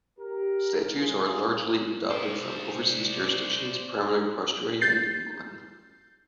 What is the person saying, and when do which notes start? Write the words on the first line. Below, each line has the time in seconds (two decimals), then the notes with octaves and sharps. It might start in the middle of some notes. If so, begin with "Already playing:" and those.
Statutes are largely adapted from overseas jurisdictions, primarily Australia and England.
0.20 G4 A#4
0.98 G3 D4 E4 F4 G#4
2.10 C5 D5
4.81 G6 A6 C7